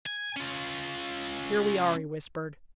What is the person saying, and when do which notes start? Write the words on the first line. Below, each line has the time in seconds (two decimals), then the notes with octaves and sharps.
"Here we are," he whispered.
0.06 G#5
0.36 C#4 F4